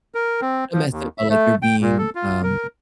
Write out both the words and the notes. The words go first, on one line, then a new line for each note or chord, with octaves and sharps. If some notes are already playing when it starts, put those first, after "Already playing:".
not messed up, but, like, you're being, um,
A#4
C4
F3
D#2
E5
A3
G5
A#2
A4
F4
A#4